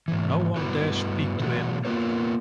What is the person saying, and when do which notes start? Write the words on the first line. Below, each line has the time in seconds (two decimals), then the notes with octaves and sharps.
No one dares speak to him.
0.08 G#2 E3
0.56 G2 D3 B3 E4 F#4 B4
1.40 B2 E3 F#3 A3 F#4
1.85 A#3 B3 F4 A#4 B4 C#5